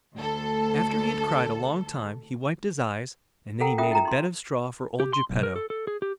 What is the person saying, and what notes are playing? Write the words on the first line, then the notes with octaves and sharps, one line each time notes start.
After he had cried a long time, he wiped his eyes and then he made a bed of straw for old Geppetto.
D2 A4
A4 A#4 F#5 G5 A#5
C#4 F4 A#4 E5 G5 D#6
E4 G5 A#5
D#4 C6
G4
C6
B1
A#4
A4
A4
G#4
G4